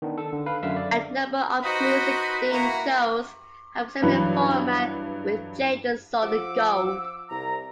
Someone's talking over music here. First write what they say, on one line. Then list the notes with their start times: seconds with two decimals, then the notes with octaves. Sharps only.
A number of music themed shows have a similar format with Jade Solid Gold.
0.02 D#3 B3 D4
0.18 A4
0.33 D3
0.46 B4 F5
0.63 F#2 D3 E5 F5 E6
0.76 D5
1.63 D#4 F#4 B4 C5 D#5
2.51 A#3 E4 F#4 A#5
4.02 G2 E3 F#3
6.23 F3 F#5 D6 E6
7.30 C2 A#5